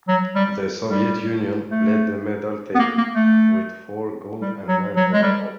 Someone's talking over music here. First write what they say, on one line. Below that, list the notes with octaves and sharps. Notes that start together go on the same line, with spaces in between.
The Soviet Union led the medal table, with four gold and nine overall.
F#3
G3
G3
A3
B3
A#3
A#3
A3
G3
F#3
F#3
G#3
G3